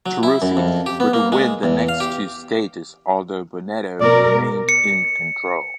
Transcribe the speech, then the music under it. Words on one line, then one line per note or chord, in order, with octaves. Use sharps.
Taruffi would win the next two stages, although Bonetto remained in control.
F#3
E4
F#2
F2
G4
B3
A#3
G#3
E2
F5
G4
B2 A#4 D5
C#7